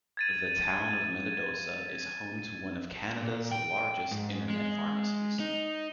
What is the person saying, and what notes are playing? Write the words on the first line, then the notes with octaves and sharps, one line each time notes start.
The town of Minnedosa is home to one of Canada's largest internet pharmacies.
G#6 A6 D#7
A#2
G5
G#2
G#3
D#4